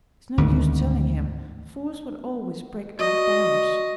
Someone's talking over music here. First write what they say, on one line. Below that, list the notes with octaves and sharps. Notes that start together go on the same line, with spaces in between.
It's no use telling him, fools will always break out o' bounds.
D2 G#2 D#3
F#4 D5 D#5 C#6